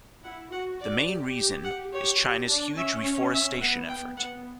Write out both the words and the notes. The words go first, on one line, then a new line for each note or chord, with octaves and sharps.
The main reason is China's huge reforestation effort.
E4 F#5
F#4 F#5
D5
G4
F#5
G4 C#5
G4
D4
C#4 E5
C#5
E5
B3 F#5
G5
B3 F#5